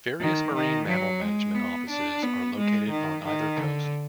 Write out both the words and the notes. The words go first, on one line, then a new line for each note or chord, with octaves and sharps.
Various Marine Mammal Management offices are located on either coast.
D#3
D#3
F#3
G#3
B3
D4
B3
G#3
D#3
D#3
D3